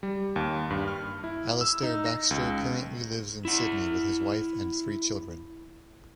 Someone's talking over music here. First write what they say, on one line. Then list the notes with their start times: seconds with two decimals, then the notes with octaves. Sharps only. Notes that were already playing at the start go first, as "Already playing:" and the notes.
Alistair Baxter currently lives in Sydney with his wife and three children.
0.03 G3
0.36 D#2
0.70 G2
0.88 F6
1.24 E4
1.61 E6
1.83 D#4
2.06 A#6
2.31 C#2
3.45 E4 F#5